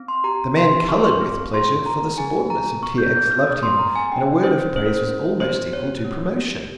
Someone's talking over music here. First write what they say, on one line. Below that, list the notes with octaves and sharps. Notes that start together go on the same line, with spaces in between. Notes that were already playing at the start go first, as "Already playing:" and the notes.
The man coloured with pleasure for the subordinates of T. X. loved him, and a word of praise was almost equal to promotion.
Already playing: C4
C6
G4 A#5
G4 C6
C4 C#6
C6
C#6
C4
F4 C6
C4 A#5
G#4 G#5
G#4 A#5
C4 C#6
G6
C4 G6
F6
G#4 D#6
C6
C4 A#5
G#5
C#4 G5
C#4 C5
C#4 C5
A#4
C5
C#4
G4 C5
G4 C#5
C#4
G4